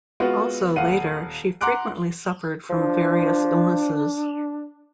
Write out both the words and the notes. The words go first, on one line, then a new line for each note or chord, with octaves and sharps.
Also, later, she frequently suffered from various illnesses.
G#3 B3 F4 F#4
D#1 F5 F#5 D#7
F#5 A#5 C6 D6 F#6 D7
F3 D4